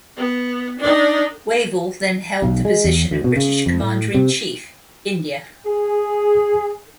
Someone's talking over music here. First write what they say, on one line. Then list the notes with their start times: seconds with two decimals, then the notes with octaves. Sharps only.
Wavell then held the position of British Commander-in-Chief, India.
0.17 B3
0.79 D4 D#4
2.42 B1
2.65 G#3
2.84 E2
3.11 D2
3.24 B2
3.36 C#3
3.66 F2
3.80 A2
4.14 C3
5.66 G#4